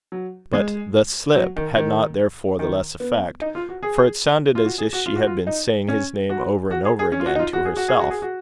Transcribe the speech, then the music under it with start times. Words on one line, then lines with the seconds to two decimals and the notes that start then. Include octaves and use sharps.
But, the slip had not, therefore, the less effect; for it sounded as if she had been saying his name over and over again to herself.
0.12 F#3
0.53 G#3
1.36 F#3
1.56 D#3
1.76 D#3
2.59 D#3
3.00 B3
3.42 D#4
3.55 F4
3.69 F#4
3.83 G#4
4.55 F4
4.65 F#4
4.78 G#4
4.93 F#4
5.06 F4
5.16 F#4
5.27 F4
5.47 D#4
5.88 C#4
6.30 F#4
6.71 F#4
6.85 G#4
6.99 G#4
7.12 C#4
7.20 F4
7.26 F#4
7.35 D#4
7.39 F4
7.53 F#4
7.65 G#4
7.77 F#4
7.88 G#4
7.99 F#4
8.10 G#4
8.22 F#4